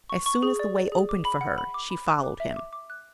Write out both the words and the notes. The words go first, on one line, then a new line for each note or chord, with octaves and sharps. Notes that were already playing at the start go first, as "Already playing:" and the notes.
As soon as the way opened for her, she followed him.
C#6
C#6
G#4
D5
D5
G#4
D6
B5
F#5
B5
D6
B5
F#6
D6
E5
D6
D6
F#6